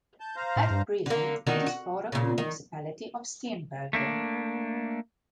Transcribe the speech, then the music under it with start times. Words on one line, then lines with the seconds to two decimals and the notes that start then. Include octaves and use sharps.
At present it is part of the municipality of Steenbergen.
0.20 A5 G6
0.36 C5 F5 A#5
0.56 A2
0.71 G2
1.06 D3 A#3
1.47 D3 D#3 F#4
1.66 F#4
2.12 A#2 C#3
2.38 D#3
3.93 A3 A#3 D4